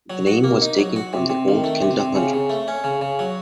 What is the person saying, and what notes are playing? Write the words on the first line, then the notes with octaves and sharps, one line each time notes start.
The name was taken from the old Kinda Hundred.
F#3
F#4
A#3
D#4
F#3
F#4
C3
C3
D#3
A3
C3
C3
C#3
C#3
A3
C#4
C#3
C#3
F#3